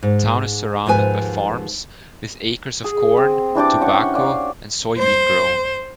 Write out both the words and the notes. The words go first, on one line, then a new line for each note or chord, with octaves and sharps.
The town is surrounded by farms, with acres of corn, tobacco and soybean grown.
G#2
D#2 G#2 F3 B4 G#5
G#4
C4
E3 D4 G4 D5
C#4 F#5 C#6
C#5 D5 F5
C5